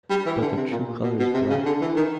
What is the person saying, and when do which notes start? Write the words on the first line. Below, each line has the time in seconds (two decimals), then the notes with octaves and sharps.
But their true color is black.
0.10 G3
0.26 E3
0.41 D3
0.57 C3
0.72 A#2
0.88 A#2
1.03 B2
1.19 B2
1.34 C3
1.50 C#3
1.66 D3
1.81 E3
1.96 D#3